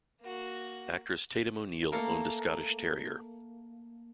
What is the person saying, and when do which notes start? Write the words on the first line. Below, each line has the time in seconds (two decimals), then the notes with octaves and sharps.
Actress Tatum O'Neal owned a Scottish Terrier.
0.21 A#3 F#4
1.92 A3 A#3 A4 A#4